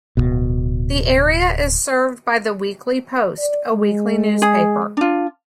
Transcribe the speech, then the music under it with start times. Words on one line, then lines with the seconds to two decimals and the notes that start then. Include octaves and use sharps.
The area is served by "The Weekly Post", a weekly newspaper.
0.17 D1 G#1 B2
3.39 D5
3.73 G#3
4.42 G#4
4.97 D4 F4